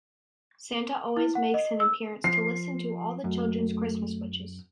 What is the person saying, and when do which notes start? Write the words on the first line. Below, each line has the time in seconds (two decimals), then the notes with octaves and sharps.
Santa always makes an appearance to listen to all the children's Christmas wishes.
1.17 E4
1.35 F#5
1.54 D#5
1.80 E6
2.24 F3 C7
3.24 F#2 A3